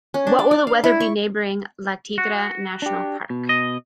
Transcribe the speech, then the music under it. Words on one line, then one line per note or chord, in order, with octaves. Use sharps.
What will the weather be neighboring La Tigra National Park?
C#4
D4
D5
D5
F5
E4
C#6
F#4
D4 G4
B2
D#5